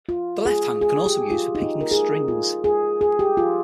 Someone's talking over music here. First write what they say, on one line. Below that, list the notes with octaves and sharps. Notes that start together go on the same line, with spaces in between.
The left hand can also be used for picking strings.
F4
G#4
G#4
G4
F4
D#4
A#4
G#4
F4
G#4
G#4
G4
F4